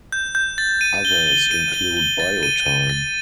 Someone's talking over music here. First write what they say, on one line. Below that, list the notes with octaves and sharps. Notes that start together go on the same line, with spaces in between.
Others include BioTime.
G6
G6
A6
D#7
G7
G7
D#7
G7
G7
A6
D#7
D#7
A6